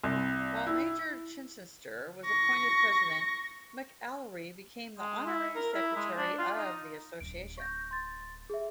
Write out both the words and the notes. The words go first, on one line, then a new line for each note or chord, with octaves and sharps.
While Major Chichester was appointed president, McAlery became the honorary secretary of the association.
C2
E4
C#6 A#6
G#3
E4
A#4
E4
G#3
D4
F4
D#4
D1 D4 D7
C#6 G6 A#6
C6 A6
G#4 E5